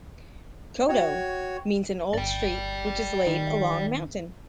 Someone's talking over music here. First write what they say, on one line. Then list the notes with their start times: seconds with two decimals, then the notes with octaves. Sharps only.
"Kodo" means an old street which is laid along mountain.
0.89 F#4 C#5 G5
2.14 G1 D5 G5
3.27 D#3